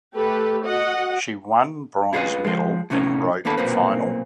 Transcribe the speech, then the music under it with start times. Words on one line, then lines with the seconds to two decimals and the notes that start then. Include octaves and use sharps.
She won bronze medal in Rope final.
0.15 A3 G4 A4 B4
0.66 F#4 D#5 F#5
2.13 E4 F4 G#4 A#4 B4 D#5
2.44 F3 G#3
2.90 A2 C3 C#4 D#4
3.45 D#2 A#3 B3 D4 A4 B5
3.57 B1 A#2 A#3 C4 B4